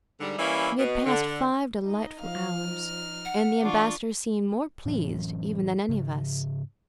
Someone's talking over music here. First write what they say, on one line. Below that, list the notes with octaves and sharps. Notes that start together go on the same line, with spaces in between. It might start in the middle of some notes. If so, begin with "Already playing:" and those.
We had passed five delightful hours, and the ambassador seemed more pleased even than any of us.
G#2 D3 G3
E3 G3 A#3 C#4 E4
B2
D3
D#4 D#5
F3 F5 F6
D#4
F#5
E3 D4 F4 C#6 D6
A2 E3 F#3 C#4
G#2 C#3